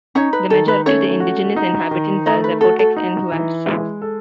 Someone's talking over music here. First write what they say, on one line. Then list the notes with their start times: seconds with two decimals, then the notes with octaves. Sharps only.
The majority of the indigenous inhabitants are Zapotecs and Huaves.
0.15 C#4 D#4 C#5
0.33 B4
0.50 D#3 A4
0.68 B4
0.86 A3 C#4 C#5
1.20 F#4
1.56 D#4
1.91 D#3
2.26 A3 D#4 D#5
2.44 B4
2.61 F#4 A4
2.79 A4
2.96 D#4
3.32 E3
3.67 G#3
4.02 A4